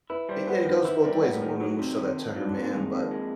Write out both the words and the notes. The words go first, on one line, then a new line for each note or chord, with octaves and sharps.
i i it goes both ways, a woman will show that to her man, but,
E4 B4
G3 C5
B3 B4
D#3 B4
C5
E4 B4
G3 A#4
B3 A4
D#3 G#4
F#3 D#4
C3
D#3
F2
F#3 D4
C3 A#3
D#3 G#3
F2
G#3